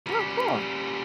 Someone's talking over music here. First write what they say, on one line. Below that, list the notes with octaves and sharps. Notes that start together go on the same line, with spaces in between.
Oh, cool.
G3 C#4